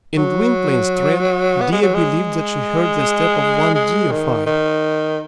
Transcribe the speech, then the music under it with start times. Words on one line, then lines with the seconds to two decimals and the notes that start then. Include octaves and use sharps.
In Gwynplaine's tread Dea believed that she heard the step of one deified.
0.17 F#3
1.61 B3
1.72 G#3
1.83 F#3
1.94 G#3
3.75 G#3
4.11 D#3
4.46 D#3